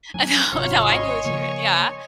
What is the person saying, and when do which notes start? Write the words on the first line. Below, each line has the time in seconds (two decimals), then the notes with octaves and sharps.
Uh, no, no, I knew what you meant Yeah,
0.14 F#3 D4 G#5
0.53 G#1 C3 F#3 F4 C#5
0.89 D#5 G#5 C6
1.24 C#3 F3 A#3